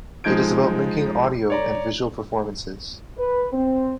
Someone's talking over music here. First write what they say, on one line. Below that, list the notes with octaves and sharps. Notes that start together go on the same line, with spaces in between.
It is about linking audio and visual performances.
F3 G#3 D#4 G6 G#6 D7
C#5 D5 A#5
B4
C4